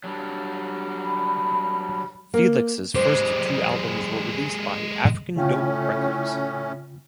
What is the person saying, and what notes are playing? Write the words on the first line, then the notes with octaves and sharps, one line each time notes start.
Felix's first two albums were released by African Dope Records.
F#3 G3 D4
B5
A#3
G#3 G4 C5
A2 C#3 A3 C#4 F4 G5